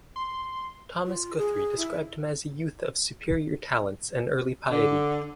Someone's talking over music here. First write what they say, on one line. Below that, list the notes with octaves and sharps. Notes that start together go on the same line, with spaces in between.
Thomas Guthrie described him as "a youth of superior talents and early piety".
C6
F4
G#4
E4
D3